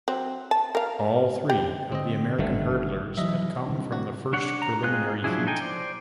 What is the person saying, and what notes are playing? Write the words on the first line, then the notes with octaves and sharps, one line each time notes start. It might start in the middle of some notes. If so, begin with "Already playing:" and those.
All three of the American hurdlers had come from the first preliminary heat.
F#3 C4
A5
A#4 F5
G4 G5
D3 C4 D#5
G#1 G2 D3 D#3 G3 A3
E3 F#3 D#5 E5
C3 G3 D4
F#4
D4 C#5 F#5
A#5
G#3 C4 F4 G#4 F#6
F3 F#3 D4 E4 G#4
D#4 A4 G5 G#5
C5 D5